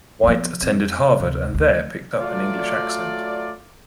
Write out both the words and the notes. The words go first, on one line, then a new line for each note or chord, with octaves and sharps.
White attended Harvard and there picked up an English accent.
F3 B3
F2
D2 C3
D2
F#3 A3 F4 D5